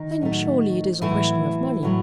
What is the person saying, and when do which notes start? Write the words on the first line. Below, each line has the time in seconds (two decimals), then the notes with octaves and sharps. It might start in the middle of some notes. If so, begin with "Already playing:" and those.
"Then surely it is a question of money."
Already playing: D#3 D#4
0.21 A2 F#3 A3
1.02 A2 E3 F#3 A3 E4
1.83 A2 F#3 A3